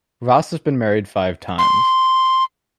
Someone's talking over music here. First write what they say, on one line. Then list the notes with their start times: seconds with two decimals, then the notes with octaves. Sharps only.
Ross has been married five times.
1.59 C6